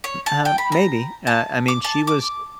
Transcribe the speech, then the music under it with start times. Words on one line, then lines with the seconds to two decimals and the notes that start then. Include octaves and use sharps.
Uh, maybe. Uh, I mean, she was
0.04 C#5
0.26 A5
0.45 G5
0.58 B5
0.72 A#5
1.27 A5
1.68 D6
1.85 A5
2.07 D6